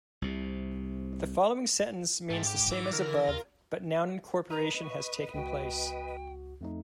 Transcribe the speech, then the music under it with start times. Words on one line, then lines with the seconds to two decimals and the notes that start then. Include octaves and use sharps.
The following sentence means the same as above, but noun incorporation has taken place.
0.22 C2 C3
2.30 G#2 A3 G4
2.45 G4 D6
2.72 E3
2.93 D3 A#4
3.28 D#2 F4
4.50 B4 D#5 A#5
4.81 C#6
5.34 C#2 F#4 G5
6.61 F2 A3 D#4